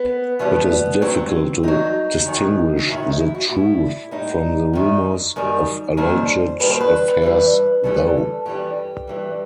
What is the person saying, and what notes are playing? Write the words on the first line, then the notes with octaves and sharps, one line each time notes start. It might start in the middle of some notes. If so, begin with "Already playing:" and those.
It is difficult to distinguish the truth from the rumors of alleged affairs though.
Already playing: B3
E2 B2 G3 B3
G2 F#3 C4
G2 F#3 D#4
F#2 D#3 F#3
F#4
F#2 D#3 F#3 E4
D#4
E4
F#4
A2 G3 E4
A2 G3 D#4
F#2 D#3 G3
F#2 D#3 G3
D#2 D#3 G3 C5
D#2 D#3 G3 B4
C5
B4
G2 E3 G3
G2 E3 G3 A4
G2 E3 G3 G4
G2 E3 G3